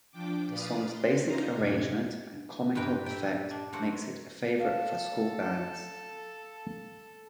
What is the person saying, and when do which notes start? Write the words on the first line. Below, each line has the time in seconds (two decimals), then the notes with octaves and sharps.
The song's basic arrangement and comical effect makes it a favourite for school bands.
0.12 F3 D4 G5 D6
0.48 A#2 B4 D5 F5 D#6
0.89 C6 C7
1.23 C#4 D#4 F4 C5 A#5
1.53 F#2 A2 C3 G4 G#6
2.75 G2 A#2 B4 G5 A#5
3.06 E5 G5
3.51 D4
3.73 A#3 F#4 A4 C5 F#5
4.60 A4 F5